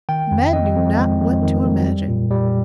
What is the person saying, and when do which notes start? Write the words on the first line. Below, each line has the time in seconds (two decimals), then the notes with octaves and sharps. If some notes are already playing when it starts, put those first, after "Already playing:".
Men knew not what to imagine.
0.09 D#3 G5
0.31 F2
0.53 F2 D#5
0.75 F2
0.98 G#3
1.20 F2
1.42 D#3
1.64 F2
1.86 G3
2.08 A#2
2.31 G3